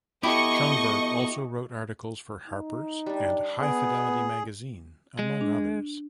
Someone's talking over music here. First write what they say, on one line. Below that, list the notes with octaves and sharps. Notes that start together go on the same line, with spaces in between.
Schonberg also wrote articles for Harper's and High Fidelity magazine, among others.
B3 E4 F#4 G4 A4 D#5 C#6
D#4
G3 D4
B3 G#4
G#3
D4